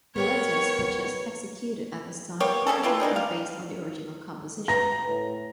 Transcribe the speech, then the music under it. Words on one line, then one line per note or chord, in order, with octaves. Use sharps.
The letter sketches executed at this time probably are based on the original composition.
B3 A#4 C#5 G5
A#3 B3 G4 C#5
A#3 C#4 G#4 A4
E4 F4 G4 B4
D#3 D4 G4 A#4
F5
B4 A#5 A#6
A2